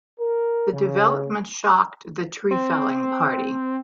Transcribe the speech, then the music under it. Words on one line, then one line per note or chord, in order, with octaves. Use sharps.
The development shocked the tree-felling party.
A#4
C#3
C4